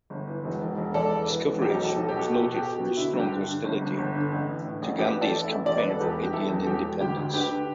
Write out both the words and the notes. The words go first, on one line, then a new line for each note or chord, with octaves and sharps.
His coverage was noted for his strong hostility to Gandhi's campaign for Indian Independence.
G1
E3
E1
E1
E1
E1 A4 D5
E3
E3
E1
B1 G4
B1 A4
G4
B1 A4
B2 G4
A4
B2 G4
B2 A4
G4
B2
B2
D3 E4
G2
G4
D3
D3
G1
G2
G1
D3
A1
E3
A2
A1
A1 G4 B4
A1
A4 D5
E3
E4
A1
E1 D5
B4
E1
A4
E2 G4 B4
E3
G4
E2 E4 A4
E2
A4
E1 G4
E1
D2 G4
D2
D3 G4 B4
D3